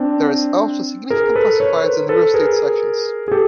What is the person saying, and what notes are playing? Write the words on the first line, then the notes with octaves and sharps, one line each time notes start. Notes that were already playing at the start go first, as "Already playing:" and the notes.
There is also a significant classifieds and real estate sections.
Already playing: C4 D4
G#4 A#4
A4 B4
B4 C#5
A#4 C5
A4 B4
G#4 A#4
G#4
G4 A4